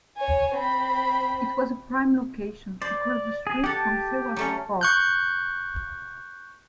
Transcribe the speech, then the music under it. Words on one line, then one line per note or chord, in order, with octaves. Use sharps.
It was a prime location, across the street from Seward Park.
C#5 G#5
C4 B5
C5 D5
G#4
G4 A4 F#5 A5
F#3 A3 C#4
C#6 F#6 G6